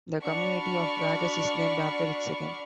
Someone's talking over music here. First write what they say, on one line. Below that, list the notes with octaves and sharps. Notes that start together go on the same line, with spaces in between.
The community of Ragas is named after its second.
D4 F#4 D5 B5 C#6 F6